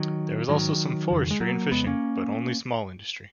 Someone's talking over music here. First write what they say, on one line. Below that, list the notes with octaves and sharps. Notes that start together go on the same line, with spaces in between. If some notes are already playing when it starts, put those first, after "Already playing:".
There is also some forestry and fishing but only small industry.
Already playing: D#3 F#3
G#2 D#3 F#3
F2 C#3
G#3
F#3 A#3
F2 C#3 G#3 B3
A#3 C#4